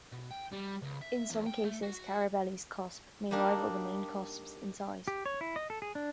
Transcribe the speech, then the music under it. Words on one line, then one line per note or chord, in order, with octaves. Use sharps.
In some cases, Carabelli's cusp may rival the main cusps in size.
B2
G5
G3
C#2
E5
E2
G5
A3
F#4
G3 A#3 D4 D#4 A#4
G4
C#5
E4
D#5
A4
G#4
D4